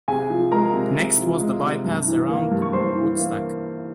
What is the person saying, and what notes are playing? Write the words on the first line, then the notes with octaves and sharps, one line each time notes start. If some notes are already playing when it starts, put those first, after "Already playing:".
Next was the bypass around Woodstock.
C3 G#4 G#5
F3
G#3 A#4 A#5
C3
C3
F3
G#3
C3
G2
E3
A#3
G2
C#6
G2 C5 C6
E3
A#3